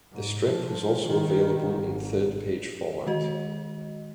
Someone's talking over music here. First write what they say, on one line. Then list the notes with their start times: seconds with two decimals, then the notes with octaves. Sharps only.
The strip was also available in third page format.
0.13 G#2
0.47 F3
1.06 D#3
1.76 G#1
3.06 D#3 G#3 F#4 D#5